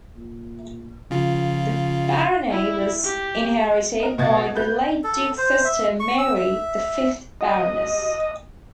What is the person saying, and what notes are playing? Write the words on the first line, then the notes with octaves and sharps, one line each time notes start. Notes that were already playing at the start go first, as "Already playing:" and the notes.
The barony was inherited by the late Duke's sister Mary, the fifth Baroness.
A#2
C#3 F3 F4
E4
G4
A#4 D#5
B2 D#5 G#6 A6
B4 G6
A4
C5
E5
C#6
E6
E5
D#5